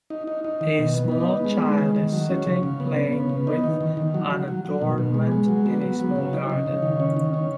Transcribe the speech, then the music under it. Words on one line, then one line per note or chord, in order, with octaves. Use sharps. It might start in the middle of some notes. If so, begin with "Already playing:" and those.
A small child is sitting playing with an adornment in a small garden.
D#4
D#4
D#4
D#3
B2
B3
D#4
B3
G#3
G#3
D#3
D#3
F#3
C#4
C#3
C#3
B3
B3
C#3
B3
D#4
D#3
D#3
D#3
F#3
F#3
F#3
F#3
B2
B2
G#3
G#3
F#3
B3
F#3
F#3
C#3
D#4
D#4
C#3
D#3
C#4
D#3
C#4